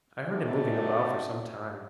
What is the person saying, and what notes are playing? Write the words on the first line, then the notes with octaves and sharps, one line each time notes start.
I heard him moving about for some time.
C3 A3 C#4 D#4 F#4 D5